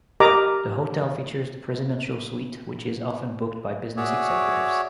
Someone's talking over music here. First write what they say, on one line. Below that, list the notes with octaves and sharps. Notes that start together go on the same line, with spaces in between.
The hotel features the Presidential Suite which is often booked by business executives.
G4 A#4 D#5 A#5 D6
F#4 G#4 C#5 D5 E5